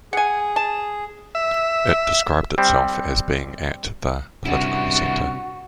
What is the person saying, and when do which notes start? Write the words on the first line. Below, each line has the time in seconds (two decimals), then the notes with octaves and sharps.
It described itself as being at the political centre.
0.13 G#4 F#5 G#5
0.56 A5
1.35 E5
2.58 G3 C4
4.46 G2 C3 C#4 D4 E4 F#4 F#5